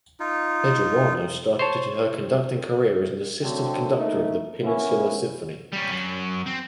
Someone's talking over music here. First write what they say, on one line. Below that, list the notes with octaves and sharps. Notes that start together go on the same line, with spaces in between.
Bejarano started her conducting career as an assistant conductor of the Peninsula Symphony.
D#4 F4
C5 C#5 A5
D3 F#3 A3 C4
A3 A#3 D#4
E3 A#3 B3 C#4 E4
G3 C#4
F#2 F#3
C4